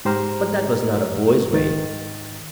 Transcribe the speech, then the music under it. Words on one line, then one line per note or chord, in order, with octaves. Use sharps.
But that was not a boy's way.
G#2 G4 C5 A#5 F6
G#2 D#3 A6